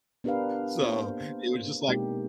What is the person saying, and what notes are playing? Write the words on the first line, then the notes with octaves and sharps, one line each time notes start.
So it was just like
B3 D4 G4 A#4 B4 F5
A#3 C5
B2 G#3 A#3 C4 D#4 G4